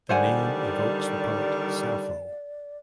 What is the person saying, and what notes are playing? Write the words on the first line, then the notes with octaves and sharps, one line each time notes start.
The name evokes the poet Sappho.
D3 D#3 G3 C5 D5 F#5 G#5